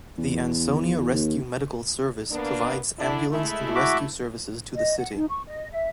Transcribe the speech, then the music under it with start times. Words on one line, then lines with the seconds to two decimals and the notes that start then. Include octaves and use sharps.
The Ansonia Rescue Medical Service provides ambulance and rescue services to the city.
0.18 E2
1.14 D#2
2.31 A#3 B3 D4
2.99 D3 D4 E4
3.31 G#3 A3 E4
3.75 F#4 E5 D6
4.76 D#5
4.98 F#5
5.16 D#4
5.29 C#6
5.47 D#5
5.72 E5